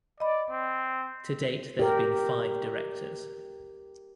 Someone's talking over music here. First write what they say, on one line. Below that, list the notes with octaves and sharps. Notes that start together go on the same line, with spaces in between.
To date there have been five Directors.
D5 D#5 B5
C4
G4 A#4